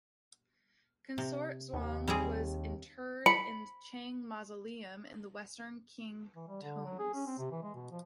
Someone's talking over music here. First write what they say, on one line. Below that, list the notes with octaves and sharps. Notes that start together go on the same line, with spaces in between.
Consort Zhuang was interred in the Chang Mausoleum in the Western Qing Tombs.
C3
D#2
G3 C4 G#4
B5 C#7
E3
G3
D3
F#3
G#4
C#4
C4
C3
E3
G#3
B2
F3